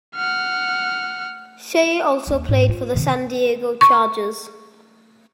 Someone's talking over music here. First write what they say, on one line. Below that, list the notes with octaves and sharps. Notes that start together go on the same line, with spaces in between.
Shea also played for the San Diego Chargers.
F#5 F6
D#2 C#4
G#2
F4
C3 D#3
C#6